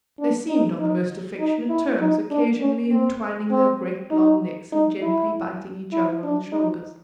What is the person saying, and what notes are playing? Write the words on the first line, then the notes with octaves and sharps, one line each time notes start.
They seemed on the most affectionate terms, occasionally entwining their great long necks and gently biting each other on the shoulders.
D4
D#4
D#4
D#4
E4
D#4
D4
C#4
C4
C4
D#4
D#4
E4
E4
D4
D#4